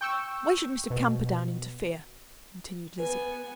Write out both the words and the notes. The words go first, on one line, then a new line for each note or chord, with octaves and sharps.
"Why should Mr. Camperdown interfere?" continued Lizzie.
G5 C#6 E6
B2
B3 B4 G#5